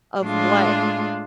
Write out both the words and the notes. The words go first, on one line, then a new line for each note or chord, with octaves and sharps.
of what
A2 G#3 D4 F4